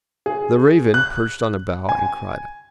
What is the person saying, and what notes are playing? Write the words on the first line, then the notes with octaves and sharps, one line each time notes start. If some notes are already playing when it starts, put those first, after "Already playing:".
The raven perched on a bough and cried.
G#4
F#6
G#5